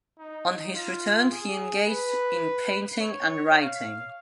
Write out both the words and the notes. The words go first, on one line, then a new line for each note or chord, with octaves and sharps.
On his return he engaged in painting and writing.
D#4
F4
G#4
B4
C#5
F5